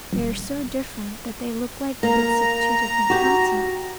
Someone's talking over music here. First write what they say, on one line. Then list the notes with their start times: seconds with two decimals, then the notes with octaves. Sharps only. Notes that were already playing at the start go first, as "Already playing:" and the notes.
They are so different, that they look like bits of two different continents.
0.13 D#1
2.03 A#3 A#5
3.10 F#4 G4